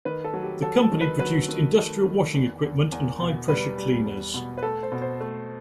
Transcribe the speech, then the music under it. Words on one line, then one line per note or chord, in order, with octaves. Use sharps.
The company produced industrial washing equipment and high pressure cleaners.
D#3 B4
A4
F#3
G4
F#3 A4
A4
D#3
B4
F#3 B4
D#3
A3
D#3
E2
E2
E2
B2
G3 B4
G3
E2
B2
B4
A3 A4
C5
B2
C5
A3